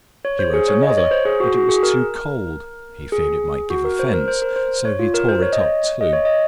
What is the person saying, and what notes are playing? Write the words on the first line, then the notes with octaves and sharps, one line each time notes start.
He wrote another, but it was too cold; he feared it might give offence, so he tore it up, too.
C#5
C5
G#4
C#5
D#5
C#5
C5
G#4
F#4
F#4
G#4
A#4
G#4
F#4
A#4
C5
A#4
C5
A#4
C5
C#5
F4
A#4
C5
C#5
D#5
C#5
D#5
C#5
D#5